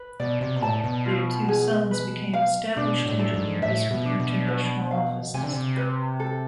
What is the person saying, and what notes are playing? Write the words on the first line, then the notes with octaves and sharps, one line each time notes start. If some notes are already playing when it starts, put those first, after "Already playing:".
Their two sons became established engineers with international offices.
Already playing: B4
B2 D5
C3
B2
A2 A5
B2
F4
G#4
B4
F5
B2 D4
A2
A4
G#2
A2 E5
B2
D4
B2
B4
F5
C3 G#5
D3
C3
B4
A4